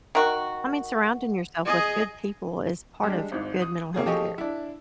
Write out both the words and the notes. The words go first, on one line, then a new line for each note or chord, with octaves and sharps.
I mean, surrounding yourself with good people is part of good mental health care.
D#3 F#4
G#4 D#5
G3 G#3 D4
G#1 G#2
D#6
A#3 C#4 G#4
F3 A3 G4 G#4 D#5 C#6
D4 E4